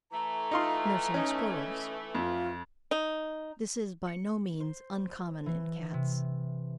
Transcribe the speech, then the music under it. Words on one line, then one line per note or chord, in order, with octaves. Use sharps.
NURSING SQUIRRELS.--This is by no means uncommon in cats.
E3 A3 A#5
D#4 F4 C6
C#4 D#4
F2 F4
D#4
C#7
C5
E3
C3